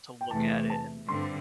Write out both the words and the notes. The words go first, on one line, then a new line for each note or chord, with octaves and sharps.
to look at it and,
G5
E2 C3 E3 A3 A5
A5
G2 D3 G3 C4 C6